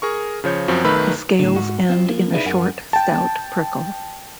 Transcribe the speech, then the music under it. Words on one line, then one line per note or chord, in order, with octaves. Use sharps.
The scales end in a short stout prickle.
G#4 A#4 C#6
C#3 F3 C#5 G6
F#2 F3 C4 F#4
B1 D#3 A3 B4 B5 E6
A2 D3
G#2 F#4
C4 F4
F3 A#3
D#4 E4 G#4 B4 D5 F5
F#2 A#4 F#5 G#5
G5 A5